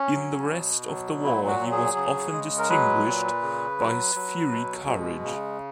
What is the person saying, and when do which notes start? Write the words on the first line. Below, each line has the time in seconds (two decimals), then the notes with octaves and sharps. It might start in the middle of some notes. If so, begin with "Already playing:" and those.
In the rest of the war he was often distinguished by his fiery courage.
Already playing: C#4
0.14 F#3
0.51 B2
0.87 F#3
1.23 A#2 E4
1.48 F#4
1.60 F#3
1.72 G#4
1.96 C#3
2.33 G#3
2.58 A#4
2.69 F#3 B4
3.06 A#2
3.42 C#3
3.79 F#3
4.15 F#3
4.52 B2
4.88 G#3
5.24 C#3